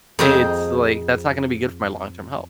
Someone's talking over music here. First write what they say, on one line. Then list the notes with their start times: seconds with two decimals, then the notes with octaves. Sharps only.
i It's like, that's not gonna be good for my long-term health.
0.19 F2 C4 G#4 D#5 G5 A#5